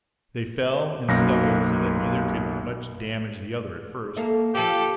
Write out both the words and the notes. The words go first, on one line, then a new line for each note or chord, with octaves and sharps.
They fell and stumbled so that neither could much damage the other at first.
B1 F#2 A#3 F5 A#6
A#3 A4 E5
F3 C4 G4 A4